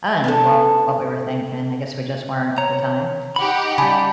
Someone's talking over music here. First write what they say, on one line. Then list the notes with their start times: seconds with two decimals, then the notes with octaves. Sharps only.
I don't know what we were thinking, I guess we just weren't at the time.
0.24 B3 D4 A4
2.58 C#5 A#5
3.36 D#4 G4 F#5 B5
3.78 C#3 G3 G#5 A5 B5